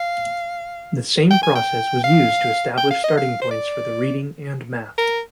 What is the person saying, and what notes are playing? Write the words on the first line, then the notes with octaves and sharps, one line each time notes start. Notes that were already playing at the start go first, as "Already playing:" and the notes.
The same process was used to establish starting points for reading and math.
Already playing: F5
G5
G#5
G5
F5
G5
F5
D#5
F5
C5
D5
A#4